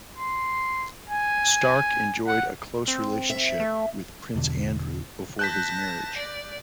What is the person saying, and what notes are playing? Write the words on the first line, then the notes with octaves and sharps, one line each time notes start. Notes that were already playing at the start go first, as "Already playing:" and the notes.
Stark enjoyed a close relationship with Prince Andrew before his marriage.
C6
G#5
F#5
C4
E5
A3
E2 B2 D3 D4
A5 F#6 G6 A#6 B6
D5